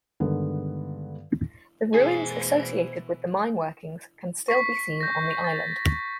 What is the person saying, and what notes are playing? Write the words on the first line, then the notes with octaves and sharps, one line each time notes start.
The ruins associated with the mineworkings can still be seen on the island.
G2 D3 D#3 G#3 B3
B2 E3 G#4 C5 G#5
C#6 B6 C7
G6 A#6
A6